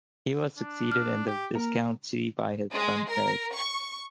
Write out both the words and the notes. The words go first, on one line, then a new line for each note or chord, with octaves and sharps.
He was succeeded in the viscountcy by his son, Eric.
D4
F6
G4
A#3 A#4
G#3
A#4
C#6